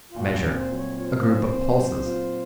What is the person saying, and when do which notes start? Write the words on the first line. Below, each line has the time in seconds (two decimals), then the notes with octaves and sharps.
Measure: A group of pulses.
0.11 F4
0.16 A#2 F#4
0.44 C4
0.57 C5
0.71 F#3
0.77 C#5
0.97 F4 C#5
1.05 C5
1.11 A#4
1.19 C5
1.25 A#2
1.51 C4
1.78 F#3
2.05 F4